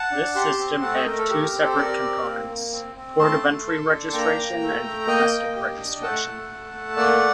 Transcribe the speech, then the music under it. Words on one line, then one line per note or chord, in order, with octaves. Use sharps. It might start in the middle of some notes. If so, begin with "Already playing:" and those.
This system had two separate components: port-of-entry registration and domestic registration.
Already playing: F#5 A5
D4
G4 A5 C6
C4
A3 F#5 A5
D#5 G5
A3 A#4
A4
G4 A#4
C4
A4 C5
G4 A#4 D5
C4
A#3
A#3
C4
C4
A3 A5 C6
A3
A4
D4
A#3 G5 A#5
A#3
A3
A3
A#3 D#5 G5
A#3
G4
D4
A3 F#5 A5
A3
A3
A3
A#3 D5 F#5